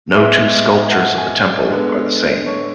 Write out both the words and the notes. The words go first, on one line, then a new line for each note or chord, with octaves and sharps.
No two sculptures of the temple are the same.
A2 G#3 B3 E5
F#5
G#5
D5
D3 G#3 B3
C#5